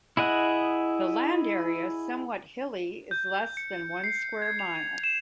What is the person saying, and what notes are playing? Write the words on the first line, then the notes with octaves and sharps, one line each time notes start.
The land area, somewhat hilly, is less than one square mile.
E4 G#4 D#5 F#5
G6
C#7
C7
G#6
F7
E7